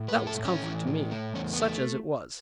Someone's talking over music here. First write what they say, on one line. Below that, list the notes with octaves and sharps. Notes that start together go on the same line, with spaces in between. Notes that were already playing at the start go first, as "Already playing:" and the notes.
That was comfort to me, such as it was.
Already playing: A2
B4
A3
A4
A2
C#4
E3
A2
A3
E2 C#4
B3
A3